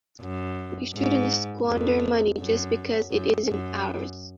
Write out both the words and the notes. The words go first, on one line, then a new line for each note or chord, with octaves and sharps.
We shouldn't squander money just because it isn't ours.
F#2
G#2
F2
F#2
F#2
F#2